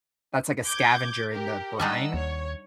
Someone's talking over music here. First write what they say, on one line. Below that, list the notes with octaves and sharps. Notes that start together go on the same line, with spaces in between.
that's like a scavenger in the brine.
D6 G6 G#6
G4 A#4
G3 D4 D#4 D#5 F#5 E6
D#2 C#5